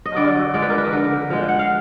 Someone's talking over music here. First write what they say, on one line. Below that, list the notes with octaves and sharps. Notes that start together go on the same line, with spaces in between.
However, I left it at that.
D#5
D3 D5
F3 G#3 D5
B4
A#4
B4
D3 A#4
F3 G#3
F#5
F5